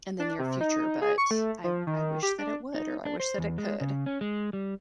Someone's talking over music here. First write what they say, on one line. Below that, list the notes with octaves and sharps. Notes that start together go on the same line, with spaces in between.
in the near future, but I w I wish that it would, or I wish that it could.
D4
C3
D#4
G#4
C#6
A3
F3
D#3
G4
D4
D#4
D4
C5
E2
G#3
C#3
C#4
G#3
G3